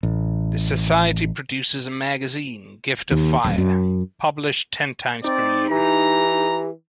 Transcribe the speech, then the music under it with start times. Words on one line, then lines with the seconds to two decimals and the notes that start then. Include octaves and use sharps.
The society produces a magazine, "Gift of Fire", published ten times per year.
0.03 A1
3.11 D#2
3.44 D1
3.58 F#2
5.24 C4 D#4 D5
5.70 E3 G4 A#5